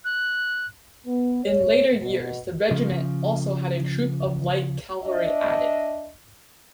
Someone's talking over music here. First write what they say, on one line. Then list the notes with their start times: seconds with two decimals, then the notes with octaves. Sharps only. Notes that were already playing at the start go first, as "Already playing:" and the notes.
In later years, the Regiment also had a troop of light cavalry added.
0.05 F#6
1.06 B3
1.44 C#5
2.00 B2
2.71 C#3 F3
5.03 D4 D#5 E5